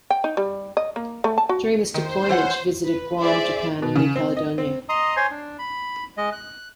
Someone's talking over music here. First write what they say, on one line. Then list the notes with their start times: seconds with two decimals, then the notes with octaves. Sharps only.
During this deployment, she visited Guam, Japan, and New Caledonia.
0.10 G5
0.24 D#4
0.37 G3
0.77 D#5
0.96 A#3
1.24 A3
1.38 A5
1.49 F#4
1.94 D#3 C5
2.29 E3 C#5 F#5
2.85 B4
3.21 G#4 C5 D5 E5
3.82 B2
3.96 C#3
4.16 C4
4.37 D#5
4.58 C4
4.89 D#5 A#5 C6 D#6
5.16 C5 C#5 G#5 C6
5.31 D4
5.59 B5
6.17 G#3 D#5
6.32 F#6